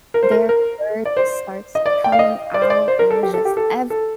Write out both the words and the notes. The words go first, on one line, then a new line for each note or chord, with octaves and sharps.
their fur just starts coming out and it's just everywhere
A#4
C5
A#4
A#4
D5
C5
D#5
D5
G5
F5
D#5
D5
C5
D5
C5
A#4
A4
G4
A4
G4
A4
A4